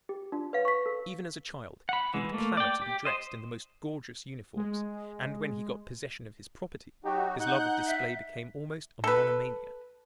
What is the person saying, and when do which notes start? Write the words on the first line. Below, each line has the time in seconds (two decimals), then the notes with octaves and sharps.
Even as a child he would clamor to be dressed in the most gorgeous uniforms; and when he got possession of his property his love of display became almost a monomania.
0.09 G4
0.32 D4 F4
0.53 B4 C#5 F5
0.65 C#6 B6
0.86 A4
1.89 F#5 B5
2.14 E3 G#3
2.34 A3 A#3
2.57 D5 G5
2.82 G4
3.05 C5 D#5
4.56 G#3
7.04 F#3 D#4 F#4 G4
7.40 D#4 F#5 F#6 G6
7.87 E5
9.04 A4 B4